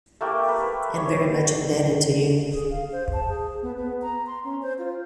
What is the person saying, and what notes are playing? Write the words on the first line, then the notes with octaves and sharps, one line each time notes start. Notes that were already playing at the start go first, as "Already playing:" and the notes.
And very much indebted to you.
A3 A#3 G4
B4
C#5
G#4
F5
C5
A5
G#4
B3
B3
A#5
C6
C#4
C5
F4